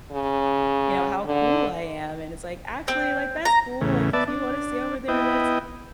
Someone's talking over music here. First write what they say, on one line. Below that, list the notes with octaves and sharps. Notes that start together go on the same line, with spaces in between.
you know, how cool I am, and it's like, "Actually, like, that's cool, like, if you wanna stay over there, that's"
C#3
D3
C4
A#5
E2 A2 C#3
B3 D5 E5 A5
D4
B3 E4 D#5 G5